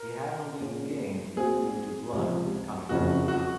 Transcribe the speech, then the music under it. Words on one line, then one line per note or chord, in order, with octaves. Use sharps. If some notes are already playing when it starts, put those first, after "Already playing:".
He had to leave the game due to blood coming from his nose.
Already playing: A#4
A#2 G#3 C#4 G#4
A#1 A#2 G#3 C4 F#4 G#4
C#2 C3 F3
F#1 F2 C#3 F#4
F#4